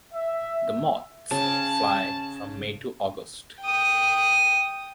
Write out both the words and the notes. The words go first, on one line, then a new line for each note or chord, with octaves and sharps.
The moths fly from May to August.
E5
C#3 A5
G5 D#6